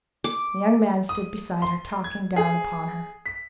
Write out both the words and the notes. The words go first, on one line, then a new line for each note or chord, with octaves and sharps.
The young man stood beside her talking down upon her.
D6
D#6
C6
G#6
G#4
B6